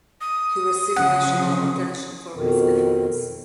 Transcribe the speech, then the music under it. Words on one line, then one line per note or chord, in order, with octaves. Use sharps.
He received national attention for his efforts.
D#6
C#3 F3 F#5
F2 B2 D#3